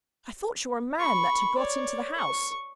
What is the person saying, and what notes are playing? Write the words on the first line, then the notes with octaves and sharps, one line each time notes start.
I thought you were a man that had got into the house.'
B5 C#6
C#5 D5
C#6